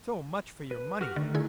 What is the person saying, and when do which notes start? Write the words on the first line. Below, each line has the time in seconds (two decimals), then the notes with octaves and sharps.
So much for your money!
0.71 B4
1.01 F#4 G4 F6
1.16 D3 D#3 A3
1.35 D3 E4 G#4